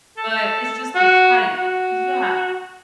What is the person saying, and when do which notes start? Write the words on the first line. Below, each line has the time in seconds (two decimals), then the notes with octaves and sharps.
but it's just the type. Yeah.
0.17 A4
0.95 F#4
1.53 F#4